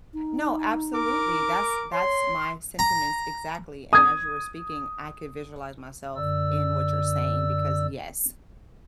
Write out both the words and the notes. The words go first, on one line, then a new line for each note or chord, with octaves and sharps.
No, absolutely. That's that's my sentiments exactly. And as you were speaking, I could visualize myself in what you're saying because, yes,
D#4
A#4 D6
C#5 C6
A#5
D#6 G#6
F#2 D3 D5 E6